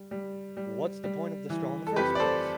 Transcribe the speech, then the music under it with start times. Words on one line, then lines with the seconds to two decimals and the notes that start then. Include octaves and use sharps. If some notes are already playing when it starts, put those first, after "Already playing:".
What's the point of the straw in the first place?
Already playing: G3
0.11 G3
0.57 G3
1.04 G3
1.50 E3
1.87 A4
1.96 F2 G4 B4
2.15 D5
2.20 A4 C5